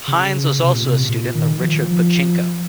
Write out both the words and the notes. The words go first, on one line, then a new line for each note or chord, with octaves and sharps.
Hines was also a student of Richard Pochinko.
C#3
C3
A#2
C3
A#2
D#3
F3
F3